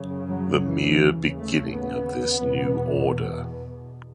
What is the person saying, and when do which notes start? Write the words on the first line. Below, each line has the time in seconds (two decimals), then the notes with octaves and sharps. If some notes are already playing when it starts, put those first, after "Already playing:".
The mere beginning of this new order.
Already playing: F#2 C#3
0.26 F#3
0.63 E3
0.99 D#2 C#3
1.36 A3
1.73 B3
2.45 E2 B2